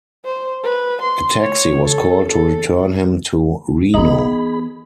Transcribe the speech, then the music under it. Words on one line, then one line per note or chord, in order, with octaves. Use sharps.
A taxi was called to return him to Reno.
C5
B4
C6
C#5
A4
A4
E3 B3 D#4 G#4 B5